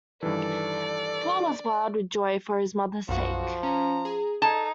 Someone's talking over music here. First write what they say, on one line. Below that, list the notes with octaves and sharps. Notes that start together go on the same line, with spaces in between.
Paul was wild with joy for his mother’s sake.
G2 D#3 E3 A4 D5
B1 F#2 F3 F#4 F5
C#4 A#5
G#4
D#4 A4 A5 G#6